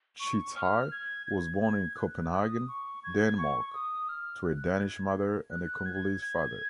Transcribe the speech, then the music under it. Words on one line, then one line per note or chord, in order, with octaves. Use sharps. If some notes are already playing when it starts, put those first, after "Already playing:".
Tchicai was born in Copenhagen, Denmark, to a Danish mother and a Congolese father.
C#6
F6
G#6
G#6
G#6
F#6
D#6
C#6
G#6
C#6
D#6
F6
F#6
G#6
F#6
G#6
G#6